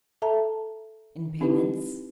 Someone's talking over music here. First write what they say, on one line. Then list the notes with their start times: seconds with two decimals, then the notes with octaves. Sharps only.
"In payments."
0.22 A4 E5 A5 A#5
1.41 C4 D#4 E4 G4 B4